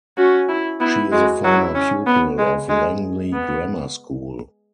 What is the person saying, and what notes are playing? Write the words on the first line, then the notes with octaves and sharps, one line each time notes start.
She is a former pupil of Langley Grammar School.
C#4 F#4
E4
B3 E4
G#3 F#4
F#3 E4
C#4
B3
G#3
G#3
B3